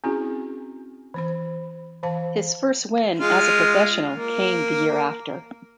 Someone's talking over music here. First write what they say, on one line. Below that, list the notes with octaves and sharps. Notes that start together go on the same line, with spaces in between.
His first win as a professional came the year after.
C4 C#4 E4 F#4 G#4
E3 C5 B5
E3 C5 F5 A5
G#3 F4 F5
A#3